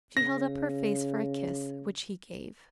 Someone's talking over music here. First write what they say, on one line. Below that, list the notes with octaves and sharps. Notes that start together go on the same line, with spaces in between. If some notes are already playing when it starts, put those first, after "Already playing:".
She held up her face for a kiss, which he gave.
C#3 A#6